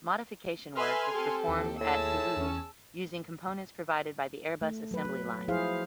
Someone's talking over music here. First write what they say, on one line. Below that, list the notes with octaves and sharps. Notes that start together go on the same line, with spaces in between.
Modification work was performed at Toulouse using components provided by the Airbus assembly line.
A4 B4 E5 G#5 C6 F6
C4 G4 A4
D#2
A2 G#4 A5 E6
E2 C#4
A3
F#3 B4
F3 E4 G#4 C5 F5